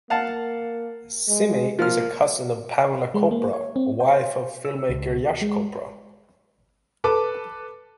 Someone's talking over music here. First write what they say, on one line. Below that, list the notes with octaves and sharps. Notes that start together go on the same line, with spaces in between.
Simi is a cousin of Pamela Chopra, wife of film-maker Yash Chopra.
A#3 F5 F#5 A5
G#3
F3 A#3 F6
G#3
A#3
C#5
C4
C5
E6
C#2
G#3
A4 B4 A5 D6